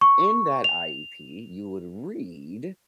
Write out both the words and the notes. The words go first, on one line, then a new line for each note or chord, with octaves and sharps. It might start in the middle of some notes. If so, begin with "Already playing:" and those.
in that IEP, you would read
C#6
F7